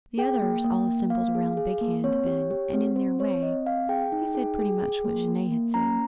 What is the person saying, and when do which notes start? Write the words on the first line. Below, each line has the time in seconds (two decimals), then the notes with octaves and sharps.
'The others all assembled round Big Hand then, and, in their way, they said pretty much what Genet had said.
0.18 G#4 G5
0.42 A#3
0.64 A#3
0.87 A#3
1.10 A#3 F5
1.35 G#4
1.57 G#4
1.81 A#3
2.04 C4 C#5
2.26 G4
2.51 G4
2.73 C4
2.96 C4 C5
3.19 C4 C#5
3.43 C4 D#5
3.66 C4 F5
3.89 G#4 G5
4.12 D#4
4.35 G#4
4.59 G#4
4.81 G#4
5.04 A#3
5.28 A#3
5.52 A#3
5.74 C#4 A#5